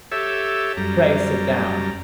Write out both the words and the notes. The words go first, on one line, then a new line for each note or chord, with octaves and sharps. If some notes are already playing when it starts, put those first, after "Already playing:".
Pray sit down.
G4 A4 C#5 E5
F#2 G3 A#5